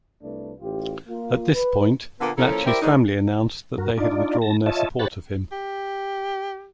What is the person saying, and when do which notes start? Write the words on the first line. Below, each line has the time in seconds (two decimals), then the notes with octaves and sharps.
At this point, Laci's family announced that they had withdrawn their support of him.
0.23 C2 A3 D4 B4
0.60 A1 F4 G4
1.08 A#3 F4
1.53 B4
2.21 A#2 D3 A#3 B3
2.37 F3 A#3 C#4 E4 A4 A#4
2.66 E4 G4 A#4 C5 D5 E5
2.82 E2 G#2 D#3 D4 D#4
3.78 G2 F#4 A#4
3.98 D4 D#4 F4 D5
4.42 A5 A#6
4.66 F4 C#5 D#5 E5 A5
4.99 G4 C5 C#5 B5 F#6 A6
5.52 G4